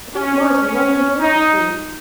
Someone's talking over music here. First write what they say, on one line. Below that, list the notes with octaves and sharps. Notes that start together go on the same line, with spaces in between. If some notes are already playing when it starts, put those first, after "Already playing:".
I think Morrison rather enjoyed the spree.
C#4
C#4
D#4